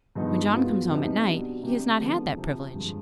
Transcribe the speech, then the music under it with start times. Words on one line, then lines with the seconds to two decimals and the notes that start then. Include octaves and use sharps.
When John comes home at night, he has not had that privilege.
0.15 G2 F3 G#3 B3 D#4
0.52 B2 G#3 B3 F4
0.90 C3 F3 B3 D#4 G4
1.26 B2 G3 D4
1.63 C3 G3 D4 G4
2.00 D3 F3 G#3 B3
2.37 F2 C3 F3 C4 G4
2.74 G2 F3 G#3